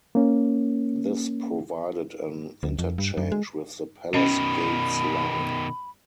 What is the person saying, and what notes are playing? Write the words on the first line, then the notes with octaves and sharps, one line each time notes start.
This provided an interchange with the Palace Gates Line.
A#3 C#4
D2
F2
G2
F#2
G#3
B2 D#3 C#4 D#5 B5